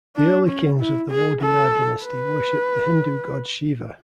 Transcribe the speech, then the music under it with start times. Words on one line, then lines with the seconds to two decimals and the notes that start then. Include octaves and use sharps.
The early kings of the Wodeyar dynasty worshipped the Hindu god Shiva.
0.16 D4
0.48 C#4
0.79 E4
1.10 G#4
1.42 A4
2.04 B4